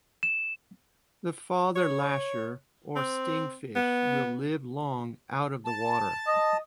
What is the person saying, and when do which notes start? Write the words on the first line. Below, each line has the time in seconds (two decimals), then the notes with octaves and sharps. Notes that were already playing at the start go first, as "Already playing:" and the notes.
The father-lasher, or sting-fish, will live long out of the water.
0.23 E7
1.76 C#5
2.96 C4
3.76 B3
5.65 A5
6.27 D#5